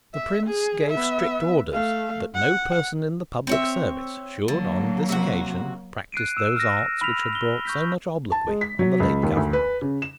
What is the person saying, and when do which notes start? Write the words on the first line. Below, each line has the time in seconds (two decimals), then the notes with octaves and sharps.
The Prince gave strict orders that no person in the public service should, on this occasion, practise those arts which had brought so much obloquy on the late government.
0.15 E5
0.46 G#4
0.90 B3 E5
1.72 A3 F5
2.35 F#5
3.47 C4 C#5 E5
4.48 D3 F#3 A#3
5.09 C3 F#4
6.12 F#6 C7 D7 D#7
6.37 E6 E7
6.56 F6 A#6
7.01 B5 E6 F6 B6 F7
7.33 F7 G7
7.65 C#6 G6 B6
8.32 A5
8.47 G#3
8.61 B6
8.79 F#3
9.00 C#2
9.23 D#2
9.36 D2
9.53 B4
9.82 C#3
10.02 E7